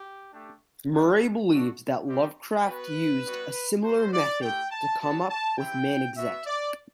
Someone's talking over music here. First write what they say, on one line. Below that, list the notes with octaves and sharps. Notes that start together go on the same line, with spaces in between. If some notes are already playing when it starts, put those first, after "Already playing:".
Murray believes that Lovecraft used a similar method to come up with "Manuxet".
Already playing: G4
A3 D4 G4
G3 B3 D4 F#4
A3 D4 F#4
G3 C4 G4
B3 F#4 B4
G3 B3 F#4
G3 B3 F#4 C5
D5
A3 E4 G4 G5
A5
G3 B3 F#4 A5
A5
C4 E4 G4 G5
B3 F#4 E5
D5